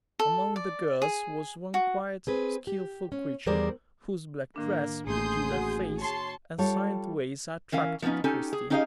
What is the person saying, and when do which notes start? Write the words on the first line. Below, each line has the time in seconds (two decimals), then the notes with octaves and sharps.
Among the girls was one quiet, skilful creature, whose black dress, peculiar face, and silent ways attracted Christie.
0.19 A4
0.56 D5
1.02 G#4
1.74 F#4
2.27 C4 G#4 B4
2.67 G4
3.12 C#4
3.46 E2 G3 G#4 A#4 C5 D5
4.56 A2 D#3 A#3 D4
5.07 A1 A2 A#3 G#4 C6 D#6 G6
5.50 F#4 F#5
5.98 C#5 A5 C6
6.58 G3 F4 A4 C#5
7.72 E3 C#4 A#4 F5
8.02 F3 A3 B3 C#4 D#4
8.24 C#4 D#4 G4 A4 G#5
8.53 G#4
8.70 C#4 D#4 G4 G#4 D#5 F5